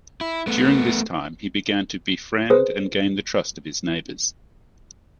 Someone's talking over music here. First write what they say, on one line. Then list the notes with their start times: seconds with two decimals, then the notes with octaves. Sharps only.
During this time he began to befriend and gain the trust of his neighbors.
0.21 E4
0.47 A3 B3
2.50 G#4 B4 C5